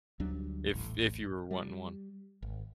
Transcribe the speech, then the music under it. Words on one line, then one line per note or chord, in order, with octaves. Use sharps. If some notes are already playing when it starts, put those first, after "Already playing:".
if if you were wanting one.
D2 F#3 G3 D4
D#1 A1 A2
G3
G#1